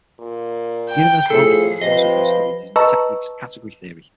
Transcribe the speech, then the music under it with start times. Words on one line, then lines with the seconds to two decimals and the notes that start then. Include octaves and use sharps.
Universal algebra has also been studied using the techniques of category theory.
0.19 A#2
0.90 G5
1.30 A2 F3 G#4 A4 C7
1.81 C3 F3 B4 D#5
2.76 B4 D#5 A5 A#5 C#6 E6